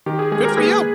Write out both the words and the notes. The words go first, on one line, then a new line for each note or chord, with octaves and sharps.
Good for you.
D#3 G4
G#4
G#3 G#4
G4 A#4
A#3 G#4 B4